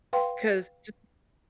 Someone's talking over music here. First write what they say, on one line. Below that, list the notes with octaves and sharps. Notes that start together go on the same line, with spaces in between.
'cause jus
B4 F5 G5 C6